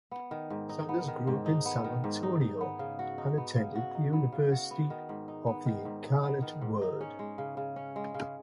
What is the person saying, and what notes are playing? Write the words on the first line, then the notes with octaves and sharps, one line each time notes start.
Sanders grew up in San Antonio and attended the University of the Incarnate Word.
B3
D#3
G#2
D#4
B3
D#3
G#2
D#4
B3
D#3
G#2
D#4
D#4
B3
C#3
F#4
D#4
B3
C#3
F#4
D#4
B3
C#3
F#4
B3
D#3
G#2
D#4
B3
D#3
G#2
D#4
B3
D#3
G#2
D#4
C#4
G#3
C#3
C#3
C#4
G#3
C#3